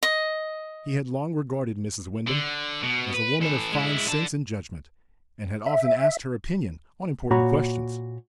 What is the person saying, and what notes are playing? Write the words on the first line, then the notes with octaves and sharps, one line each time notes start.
He had long regarded Mrs. Wyndham as a woman of fine sense and judgment, and had often asked her opinion on important questions.
D#5
D3
B2
B4
E3 A4
G#3 E4
D3 A5
E5
A#2 F#4 C#5 A#5 B5